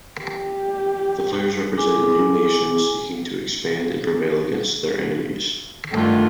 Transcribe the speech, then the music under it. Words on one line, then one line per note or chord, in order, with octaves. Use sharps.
The players represent new nations seeking to expand and prevail against their enemies.
G4
E4 G#4 G#5 D6
G2 D3 D#3 A3 F4